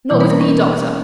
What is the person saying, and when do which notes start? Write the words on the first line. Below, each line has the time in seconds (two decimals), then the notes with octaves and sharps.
'Not with me, Doctor.
0.10 B2 E3 G3 A#3 E4
0.20 B3 B4
0.30 A#3 A#4
0.41 C#4